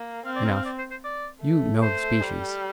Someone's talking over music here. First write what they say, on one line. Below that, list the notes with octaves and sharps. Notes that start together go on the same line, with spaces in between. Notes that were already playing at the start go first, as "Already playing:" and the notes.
Enough, you know the species.
Already playing: A#3
C4 F5
D5
A#4
F5
D5
C5
C5
D5
A3
C5
G3